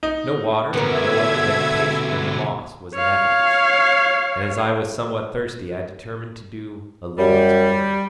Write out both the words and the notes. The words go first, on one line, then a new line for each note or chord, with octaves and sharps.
No water, and no other vegetation than the moss was in evidence, and as I was somewhat thirsty I determined to do a little exploring.
D#4
B2 D3 B3 A#4 E5 G#6
C#5 F5
F#2 G3